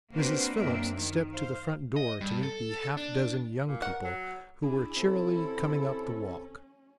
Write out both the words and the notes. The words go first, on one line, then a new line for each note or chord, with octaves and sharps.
Mrs. Phillips stepped to the front door to meet the half dozen young people who were cheerily coming up the walk.
A#3 C4 D4 F#4 B4 C5
F#2 A#3 C4 D4 E5
D#3
C5 F5
D#5
G2
A4
D4
A#2
A#4 F#5
F#3
D4 E4 G#4
C3 C#4 A4